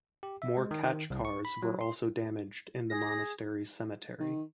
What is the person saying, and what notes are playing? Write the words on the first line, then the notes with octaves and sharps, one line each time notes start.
More khachkars were also damaged in the monastery cemetery.
G4
E5
G#3
D#3
D#3
C2
C#6
B5
F#3
C6
G#4 A#6
D#3